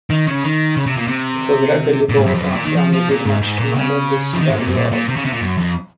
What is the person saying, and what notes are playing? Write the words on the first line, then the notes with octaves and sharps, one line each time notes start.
It was rapidly bought up and did much to mend this bad world.
D#3
C#3
D#3
C#3
C3
A#2
C3
A#2
G#2
F#2
F2
F#2
A#2
D#3
F3
F3
A#2
G#2
G#2
A#2
C#3
F3
D#3
G#2
A#2
F#2
A#2
A#2
C3
C#3
C3
A#2
F#2
F2